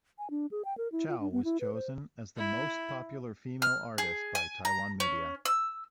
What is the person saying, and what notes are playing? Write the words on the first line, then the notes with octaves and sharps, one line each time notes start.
Chow was chosen as the "Most Popular Female Artist" by Taiwan media.
G#5
D4
G#4
G5
A#4
E4
F4
D4
B3
E4
B4
C5
E4
F6
G#4
G#5
A#5
C#4
E6